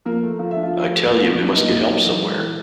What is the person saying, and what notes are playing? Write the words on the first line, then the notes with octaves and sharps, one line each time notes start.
I tell you we must get help somewhere.
F3 A#3 A#4
A3
F3 F5
E5
D4
F4 F5
F3
A3
A#2
F#3
D4
A#3 D#4 D#5
A#2
F#3
E3
G#3
E3